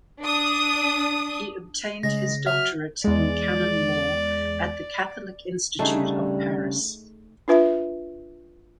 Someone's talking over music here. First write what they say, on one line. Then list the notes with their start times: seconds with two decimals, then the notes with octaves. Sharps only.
He obtained his doctorate in canon law at the Catholic Institute of Paris.
0.23 D4 D#6
2.03 C#3 G#3 A#6
2.47 F#3 E5 F6
3.04 E2 G#3 D5
5.79 C#3 G3 A3 D4 D#4 G#4
7.48 D4 F4 B4 E5